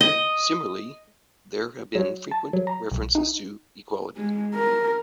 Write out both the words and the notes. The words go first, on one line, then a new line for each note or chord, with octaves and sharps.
Similarly, there have been frequent references to equity.
D#5
F#3
A5
F#3
A#5
B1
D#4
G#3
A#4